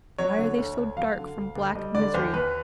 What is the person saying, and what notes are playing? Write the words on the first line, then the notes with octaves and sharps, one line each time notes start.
Why are they so dark from black misery?
F#3 C#5
D3
D2
D2
F#3 F5
D3
D2
D2
G3 D#5
D3 D5
D#2 C5
D#2 B4